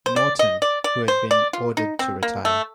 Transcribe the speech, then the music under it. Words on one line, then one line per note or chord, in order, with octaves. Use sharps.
Norton, who had been ordered to retire.
C5
D5
D#5
D5
D5
C5
D5
F4
D#4
C4
A#3
A3